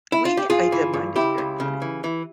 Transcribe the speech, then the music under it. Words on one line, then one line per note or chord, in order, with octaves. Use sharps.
we h I the mind is very funny.
E4
F4
G4
G2 F4 G#4
E3
G2
C#2 E4 G4
C#2
C#3
E3
E3